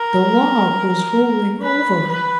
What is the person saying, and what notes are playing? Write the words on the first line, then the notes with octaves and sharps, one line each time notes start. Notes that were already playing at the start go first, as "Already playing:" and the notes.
The log was rolling over!
Already playing: A#4
B4
B4